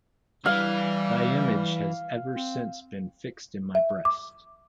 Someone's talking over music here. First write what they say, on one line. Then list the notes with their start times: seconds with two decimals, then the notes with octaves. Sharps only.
Thy image has ever since been fixed in my breast.
0.46 E3 G3 F5
2.35 C4
3.75 E5
4.05 D6